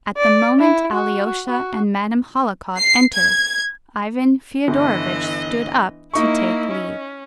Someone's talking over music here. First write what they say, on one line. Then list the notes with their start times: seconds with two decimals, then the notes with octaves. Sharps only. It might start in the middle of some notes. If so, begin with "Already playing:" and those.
At the moment Alyosha and Madame Hohlakov entered, Ivan Fyodorovitch stood up to take leave.
0.17 D5
0.59 E4
0.92 F#4
1.47 F#4
2.77 C7
3.13 G#6
4.68 G1 E3 D#5
6.14 A#3 D#4 E4 C#6
6.71 C#4